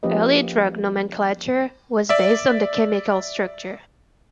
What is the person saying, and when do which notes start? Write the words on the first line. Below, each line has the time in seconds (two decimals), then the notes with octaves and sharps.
Early drug nomenclature was based on the chemical structure.
0.03 F3 A#3 C#4 G4 B4 D#5
2.09 D5 E5